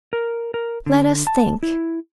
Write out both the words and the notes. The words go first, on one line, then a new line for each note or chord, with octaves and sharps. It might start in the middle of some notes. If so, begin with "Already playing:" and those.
Let us think.
A#4
A#4
D3
A5
E4